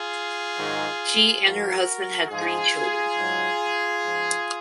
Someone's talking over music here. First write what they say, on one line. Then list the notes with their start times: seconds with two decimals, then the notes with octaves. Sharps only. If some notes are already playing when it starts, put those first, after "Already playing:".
She and her husband had three children.
Already playing: F4 G#4
0.56 G#2 D#3 F#3
1.43 G#2 F3 F#4 A#4
2.29 G#2 F3 F4 G#4
3.16 G#2 F#3
4.03 G#2 F3